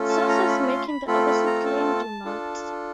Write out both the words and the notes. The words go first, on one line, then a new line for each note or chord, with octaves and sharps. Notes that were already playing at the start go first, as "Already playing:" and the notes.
Sources making the opposite claim do not.
Already playing: A3 C#4 F4 A4
A5
A#5
B5
B5
C6
B5
A3 C4 F4 A4 B5
B5
A#5
A5
D4 F4 A4